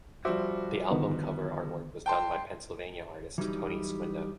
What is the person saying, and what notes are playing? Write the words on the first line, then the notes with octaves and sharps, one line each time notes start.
The album cover artwork was done by Pennsylvania artist Tony Squindo.
F3 G3 F#4 C5 E5 D6
D3 D#3 B3
G5 A5 C6
E3 F#3 G3 D#4